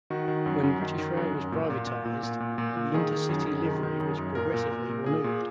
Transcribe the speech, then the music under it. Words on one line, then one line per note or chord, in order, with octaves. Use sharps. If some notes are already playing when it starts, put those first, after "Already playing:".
When British Rail was privatised, the Intercity livery was progressively removed.
D#3 F#4
D#3
F#2
F#2
D#3
D#3
F#2
F#2
A#2
A#2
A#2
A#2
A#2
A#2
A#2
A#2
D#3 G#4
D#3
F#2 G#4
F#2
D#3
D#3
F#2
F#2
A#2 A#4
A#2
A#2
A#2
A#2 G#4
A#2